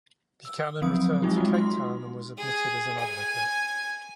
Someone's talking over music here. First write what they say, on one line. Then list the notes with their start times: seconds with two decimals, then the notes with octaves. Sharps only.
Buchanan returned to Cape Town and was admitted as an advocate.
0.45 E6
0.82 F3 F#3 C4 D#6
1.22 G#3 D#4 F4 G4
1.38 G#3 F#4
1.54 C6
2.37 G#4
2.99 G#5